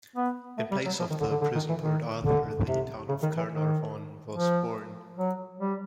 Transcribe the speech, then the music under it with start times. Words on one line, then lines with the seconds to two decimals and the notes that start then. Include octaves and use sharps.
In place of the Prison Port Arthur, the town of Carnarvon was born.
0.16 B3
0.57 A3
0.71 G3
0.86 F#3
0.99 F3
1.10 D#3
1.20 D3
1.31 D3
1.41 D3
1.55 D#3
1.69 E3
1.83 D#3
2.25 D3
2.67 C3
3.09 C#3
3.23 D#3
3.37 E3
3.51 D#3
4.34 F3
5.18 F#3
5.60 G3